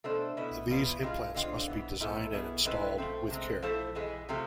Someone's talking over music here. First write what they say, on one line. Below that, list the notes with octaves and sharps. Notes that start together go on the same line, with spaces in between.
These implants must be designed and installed with care.
B2 A3 D4 A4 C5
B2 B3 E4 B4
E2 B2 B3 F4 B4
A2 G#3 C4 F4 G#4
D3 G#3 C4 F4
F2 E3 B3
G#2 F3 B3 E4 A4
B2 B3 E4 G#4
A2 G#3 C4 E4 B4
F3 A3 C4
C3 G#3 C4
F3 A3 E4 A4 C5
F2 E3 G#3 G#4
C3 F3 A3 C4